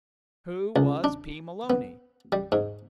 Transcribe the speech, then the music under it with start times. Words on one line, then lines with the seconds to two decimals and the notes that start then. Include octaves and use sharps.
Who was P. Maloney?
0.76 C#2
1.04 D4
1.70 B3
2.32 G3
2.52 G#2